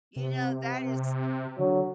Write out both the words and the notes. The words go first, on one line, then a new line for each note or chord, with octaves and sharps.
You know, that is
C3
D3 F#3